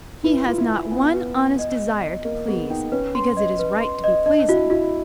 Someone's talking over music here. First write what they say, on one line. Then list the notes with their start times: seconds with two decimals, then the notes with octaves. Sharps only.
He has not one honest desire to please because it is right to be pleasing.
0.24 E4 B4
0.46 F4 B4
0.58 E4
0.69 G#5
0.91 B3 G#5
1.14 B4
1.36 G#5
1.59 D#5
1.80 D#5
2.02 D#5
2.25 A#3 D#5
2.48 B3 G#4
2.70 D#4 G5
2.92 C#4 B4
3.15 C6
3.37 D#5
3.59 B4
3.81 C6
4.04 D#5
4.26 D4 D#5
4.49 E4 F#4
4.70 E4 F#4